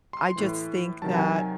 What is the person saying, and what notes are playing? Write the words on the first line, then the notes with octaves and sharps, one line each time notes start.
I just think that,
C6
A2 E3
C3 D#3 F#3 A5
F#5
G#5
G#5